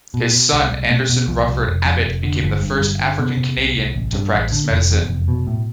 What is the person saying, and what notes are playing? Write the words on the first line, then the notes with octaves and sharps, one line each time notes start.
His son Anderson Ruffin Abbott became the first African Canadian to practice medicine.
B2
B2
C2
C2
B2 A3
B2
C2 F3
C2
F1
F2
F1
D3
G1 F3
G2
G1 G3
D3
C3 B3
C3
C2
C2
A1
G2
A1
D3
F1
E2
F1
B2
A2